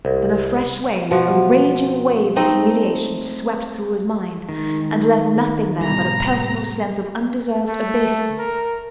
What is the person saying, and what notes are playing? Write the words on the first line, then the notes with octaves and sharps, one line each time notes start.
Then a fresh wave, a raging wave of humiliation, swept through his mind, and left nothing there but a personal sense of undeserved abasement.
C2
B2 F3 F#4
A3 C4 D#4 D#5
D#3 G#3
A2 C3 G3 B3 A#5
A3
A#4